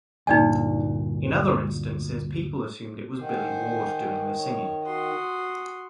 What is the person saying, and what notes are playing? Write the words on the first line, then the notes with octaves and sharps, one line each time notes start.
In other instances people assumed it was Billy Ward doing the singing.
D2 G2 A#2 D#4 D5 G#5
D#3 C5 F#5 G#5
C#5
F#4 C6 D#6